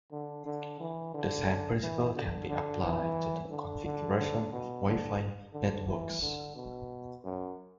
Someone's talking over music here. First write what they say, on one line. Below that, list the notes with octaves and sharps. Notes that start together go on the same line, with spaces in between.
The same principle can be applied to the configuration of Wi-Fi networks.
D3
D3
E3
D3
E3
D3
D3
E3
D3
D3
D3
B2
D3
D3
E3
D3
B2
F#2